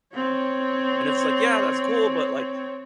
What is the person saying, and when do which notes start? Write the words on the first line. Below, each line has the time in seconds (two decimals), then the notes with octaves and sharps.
And it's like, yeah, that's cool, but like,
0.14 C4 C#5